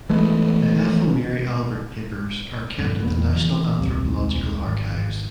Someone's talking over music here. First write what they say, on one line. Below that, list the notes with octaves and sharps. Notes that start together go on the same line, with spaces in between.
The Ethel Mary Albert Papers are kept at the National Anthropological Archives.
E3 G#3 A3 B3
A#1 G2 B2 D3
E2 G2 A#3 B3
A1 E3 F#3
D#1 C2 C3
G#1
G#1